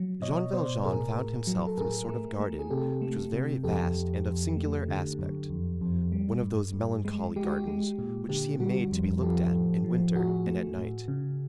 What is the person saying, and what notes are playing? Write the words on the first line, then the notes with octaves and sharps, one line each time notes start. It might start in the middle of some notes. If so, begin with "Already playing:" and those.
Jean Valjean found himself in a sort of garden which was very vast and of singular aspect; one of those melancholy gardens which seem made to be looked at in winter and at night.
Already playing: F#3
B2 C#5 D#5
B2 C5 D5
A2 G#4 A#4
A2
F#3
A4
A2 G#4 A#4
A3
A3
G#4
C3 G4 A4
A3
C3
F2 G4 A4
F2
F2
A3
D3
F#2
F2
F2
G3
G2
G2
G#3
G#3 G4
F#4
G4
G#3
A#2
D3 G4
G3 F#4
F2
F3 G4 A4
A2
F3
A2 F#4 G#4
A3
A2
C#3